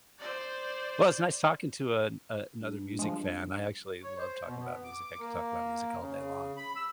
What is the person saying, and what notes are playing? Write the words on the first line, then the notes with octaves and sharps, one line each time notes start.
Well, it's nice talking to an another music fan. I actually love talking about music. I could talk about music all day long.
C5 D5
G2
F3 G#3
C#5
C5
B2
B3
D6
A#3
C#3
B5
E6